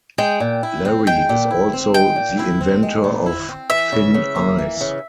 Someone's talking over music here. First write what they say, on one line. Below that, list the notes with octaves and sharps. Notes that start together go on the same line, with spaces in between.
Larry is also the inventor of "Thin Ice".
G#3 G5
A#2
E4
C4
G#3 G5
A#2
E4
C4
G#3 G5
A#2
E4
C4
G#3
A#2
E4
C4
E3 E5
C#3
C#3
A#3
E3
C#3